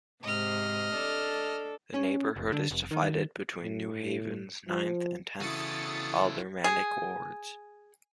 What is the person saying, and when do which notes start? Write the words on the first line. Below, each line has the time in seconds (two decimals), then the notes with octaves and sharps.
The neighborhood is divided between New Haven's ninth and tenth aldermanic wards.
0.23 G#2 C3 D#5 F6
0.93 D4 A4
1.94 C#4
2.36 F1
2.52 D3
2.71 F1
2.91 D#3
3.63 A2
4.68 F3
5.41 C#3 E3 E4 F#4 A4 D#6 A6 C#7
6.64 G#4